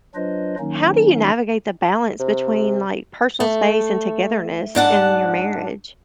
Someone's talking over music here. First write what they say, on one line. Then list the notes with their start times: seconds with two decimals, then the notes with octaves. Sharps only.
how do you navigate the balance between, like, personal space and togetherness in your marriage?
0.15 F#3 D4 F4 B4 C5 D#5
0.59 D#3 F#3 A#3 C#4 D#4
2.20 C3
3.40 A3
4.75 G#2 D4 F#5 A5